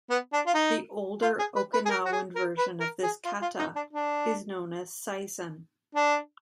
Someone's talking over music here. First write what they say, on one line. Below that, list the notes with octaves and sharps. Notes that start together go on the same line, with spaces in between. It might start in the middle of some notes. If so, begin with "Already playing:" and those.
The older Okinawan version of this kata is known as Seisan.
B3
D4
F4
D#4
F4
G#4
B4
B4
G#4
A#4
F#4
G#4
A#4
B4
A#4
G#4
F4
F4
D#4
D4
D4
D4